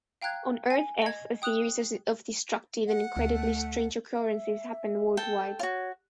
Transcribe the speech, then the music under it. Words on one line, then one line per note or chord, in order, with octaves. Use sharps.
On Earth-S, a series of destructive and incredibly strange occurrences happen worldwide.
F5 G5 A#5 F#6 G#6
G#5
D#5 G#6
G5 D#6 F#6 F7 F#7
F#5
D2 A3
E5
A4 G5
F4 F#4 C#5